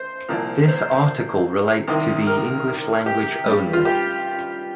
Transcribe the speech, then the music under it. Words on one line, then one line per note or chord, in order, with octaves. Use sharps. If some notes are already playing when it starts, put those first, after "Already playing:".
This article relates to the English language only.
Already playing: C5 C6
C2 A#2 F3
C5
C2 C3 D#3
A#4
G4
G2 G3
F4
G4